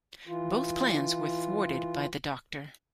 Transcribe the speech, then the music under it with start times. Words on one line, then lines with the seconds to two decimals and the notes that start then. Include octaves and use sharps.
Both plans were thwarted by the Doctor.
0.27 E3 F4